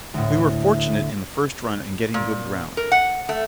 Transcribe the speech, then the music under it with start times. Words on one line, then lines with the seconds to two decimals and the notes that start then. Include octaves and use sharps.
We were fortunate in the first run in getting good ground.
0.14 D2 A2
2.14 A#2
2.77 A#4
2.92 F#5
3.29 A3